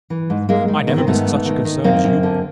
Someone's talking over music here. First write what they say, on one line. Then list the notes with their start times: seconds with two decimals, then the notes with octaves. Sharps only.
"I never missed such a concern as you."
0.10 E3
0.30 G#2
0.49 G#2 G#3 A#3
0.68 D#3
0.87 D#3 B3
0.98 C4
1.07 G#2 A3 B3
1.27 G#2
1.46 D#3
1.65 D#3
1.84 F#2 A#3 C4
2.04 F#2
2.23 D3